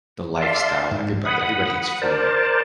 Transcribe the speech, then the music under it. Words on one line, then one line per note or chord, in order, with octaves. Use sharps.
the lifestyle everybody everybody eats food,
D5 E5 F5 A5 C6
G#2
F#5 B5 D#6
A#4 C5 D5 A5